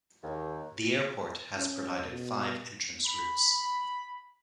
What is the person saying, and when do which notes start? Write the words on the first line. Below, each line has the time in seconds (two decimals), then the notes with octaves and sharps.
The airport has provided five entrance routes.
0.22 D#2
1.56 C#4
2.07 B2
3.06 B5